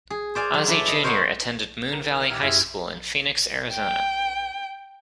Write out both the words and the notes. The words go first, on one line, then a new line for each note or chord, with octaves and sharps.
Ozzie Junior attended Moon Valley High School in Phoenix, Arizona.
G#4
C5 D5 F5 G#5
F#3
E4 A4 B4 D5
D#5
A#4 C5 C#5 D#5 F5 F#5
D#3 A#4
E6 F6 F7
D#3 E3 G4 F6 G#6 F7
F#2 E4 G4 G#4 E5 C6 F6 G#6
G5